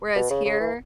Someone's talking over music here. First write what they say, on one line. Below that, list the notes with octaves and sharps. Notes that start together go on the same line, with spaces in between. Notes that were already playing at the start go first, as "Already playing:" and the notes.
whereas here,
B2
C#3
C#3
E3